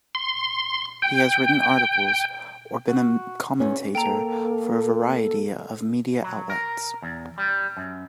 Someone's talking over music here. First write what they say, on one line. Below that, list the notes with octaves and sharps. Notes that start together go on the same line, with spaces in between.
He has written articles or been a commentator for a variety of media outlets.
C6
G5
F#4
E2 C#4
A#3 A4 G5 A#5
F#3
A#4
E2
G3
F#2